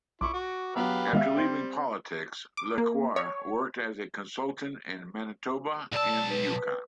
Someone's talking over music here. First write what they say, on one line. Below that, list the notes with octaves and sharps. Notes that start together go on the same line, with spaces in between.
After leaving politics, Lecuyer worked as a consultant in Manitoba and the Yukon.
B1 E4 C#6 D6
F#4
F#3 B3 G4 B4 F5
D#3 G3 G#3 B3 E5 F5
C4
D6
A#3
C#5
B1 D5 A5 E6
B4